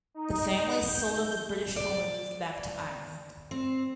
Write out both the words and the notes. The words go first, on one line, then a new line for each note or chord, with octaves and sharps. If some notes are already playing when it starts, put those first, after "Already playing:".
The family sold up the British home and moved back to Ireland.
D#4
G6
D5
C4